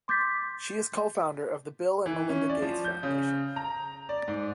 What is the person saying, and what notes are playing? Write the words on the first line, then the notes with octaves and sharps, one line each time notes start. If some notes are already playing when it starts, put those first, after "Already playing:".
She is co-founder of the Bill and Melinda Gates Foundation.
C6 D6 G6 A6 B6
E3
C#4
D5
F3
G6
C#3
A#5
D5
G#2